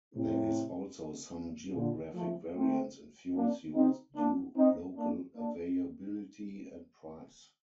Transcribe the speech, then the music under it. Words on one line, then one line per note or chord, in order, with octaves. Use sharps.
There is also some geographic variance in fuels used, due local availability and price.
A2 C3
A#2 D3
F3 A3
A3 C4
A#3 D4
C4 D#4
A#3 D4
C4 D#4
A#3 D4
A#3 D4